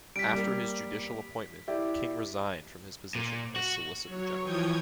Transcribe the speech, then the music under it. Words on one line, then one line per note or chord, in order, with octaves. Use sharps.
After his judicial appointment, King resigned from his position as Solicitor General.
G3 B6 D7
G3 A#3
E4 G4 D5
A#2
F#4
F#3 C#5
E3 F3 C#5 G5 D#6 G#6